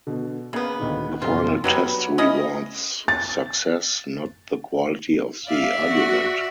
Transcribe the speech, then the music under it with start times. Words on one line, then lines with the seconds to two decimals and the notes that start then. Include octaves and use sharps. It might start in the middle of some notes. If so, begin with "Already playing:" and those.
The final test rewards success, not the quality of the argument.
0.07 B2 D3
0.53 C#3 A#3 B3
0.80 D2 A#2 D#3
1.22 F#1 F2 B2 F4
1.64 F#3 G3 B3 B4 C#5
2.18 C#4 E4 D#5
3.08 A6
5.49 D5 E5 F5
5.86 F#4